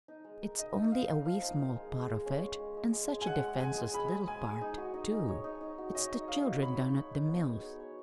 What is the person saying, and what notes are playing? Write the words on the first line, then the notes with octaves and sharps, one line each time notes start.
"It's only a wee small part of it--and such a defenseless little part, too. It's the children down at the mills."
D#4
G#3
A#4
D#4 D#5
D#4
D#4 F5
D#4
F3 F5
D#4
A#4
G#3
G#3
G#3
C#4
G#3
G#3
G#3
G#3
G#3
G#5
G#3 F#5
G#3
G#3 G#5
G#4
G#3 B5
G#3
G#3 G#5
G#4
D#4
F#4
D#4
D#4
C#5
D#4
D#4
F#4
C#5 D#5
D#4
C#5 F5
F#4
C#5 B5
D#4
D#4
D#4
B3
G#4
C#5
C#5